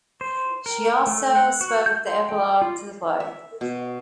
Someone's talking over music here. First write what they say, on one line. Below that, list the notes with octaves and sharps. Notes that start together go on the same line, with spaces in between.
She also spoke the epilogue to the play.
C5
A#4
A3
F#5
F#4
G6
C6
G5
F4
E5
B2